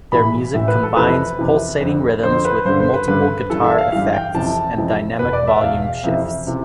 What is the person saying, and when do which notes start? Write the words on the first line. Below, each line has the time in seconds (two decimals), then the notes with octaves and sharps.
Their music combines pulsating rhythms with multiple guitar effects and dynamic volume shifts.
0.12 A2 E3 B5
0.54 A2 E3 E5
0.68 B4
0.83 A4
0.96 F2 C3 E3 B4
1.39 F2 C3 E3
1.81 F2 D3
2.23 F2 D3 C5
2.45 B4
2.65 G2 D3 C5
2.80 C5
2.94 B4
3.08 G2 D3 B4
3.50 G2 E3 A4
3.64 E5
3.78 F5
3.92 G2 E3 F5
4.13 G5
4.34 F2 C3 E3 A5
4.77 F2 C3 E3
5.19 E2 B2 B4
5.33 D5
5.47 E5
5.61 E2 B2 F5
5.83 F5
6.03 F2 C3 E3 E5
6.47 C3 E3